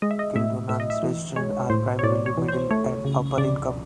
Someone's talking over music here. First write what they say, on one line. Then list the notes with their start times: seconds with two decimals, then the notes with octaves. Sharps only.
Kildonan's residents are primarily middle and upper-income.
0.02 G#3 D#5
0.11 E5
0.19 D#5
0.35 A2 E5
0.69 A2 E5
0.80 D#5
0.90 E5
1.03 E3
1.36 G#3 C#5
1.70 A2 C5
1.99 C#5
2.03 A2 D5
2.26 C#5
2.37 E3
2.48 C5
2.71 A3 C#5
3.05 C#3
3.38 C#3 D5